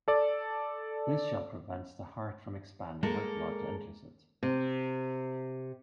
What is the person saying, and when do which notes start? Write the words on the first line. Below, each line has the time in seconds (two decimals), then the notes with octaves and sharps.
This shell prevents the heart from expanding when blood enters it.
0.08 A4 D5
3.03 G#3 A#3 A4 A#4
4.43 C3